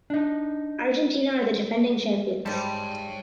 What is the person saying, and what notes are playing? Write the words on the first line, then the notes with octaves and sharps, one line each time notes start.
Argentina are the defending champions.
D4 D#4
G#2 G3 G#3 C#5 G5 A5